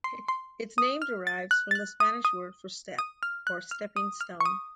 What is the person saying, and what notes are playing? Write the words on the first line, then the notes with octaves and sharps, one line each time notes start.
Its name derives from the Spanish word for "step" or "stepping stone".
C6
C6
D#6
F6
A6
F#6
A6
F#6
D#6
D#6
D#6
F6
F#6
F6
D#6
F6
C#6
D#6